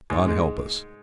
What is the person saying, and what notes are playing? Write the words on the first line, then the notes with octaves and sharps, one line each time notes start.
God help us!
G#2
G#3